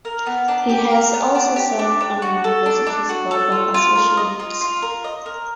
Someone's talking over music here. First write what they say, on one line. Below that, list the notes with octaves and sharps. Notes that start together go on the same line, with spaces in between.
He has also served on the university's Board of Associates.
A#4
B3
D4
G4
A#4
B3
D4
G4
D4
D4
F#4
A4
D4
D4
F#4
A4
F4
F4
A#4
D#5
F4
F4
A#4
D#5
A#4